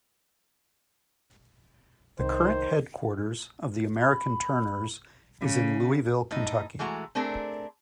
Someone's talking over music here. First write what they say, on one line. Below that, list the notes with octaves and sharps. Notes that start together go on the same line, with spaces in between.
The current headquarters of the American Turners is in Louisville, Kentucky.
C2 D#3 C5
B5
C#3
A2 D#4
E3 G#3 A3 F#4 A#5
A3 C4 D4 G#4 A#4